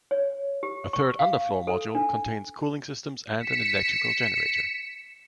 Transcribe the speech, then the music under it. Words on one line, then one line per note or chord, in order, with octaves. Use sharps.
A third underfloor module contains cooling systems and an electrical generator.
C#5
G4
C#6
F5
A4
D4
B6 C#7 E7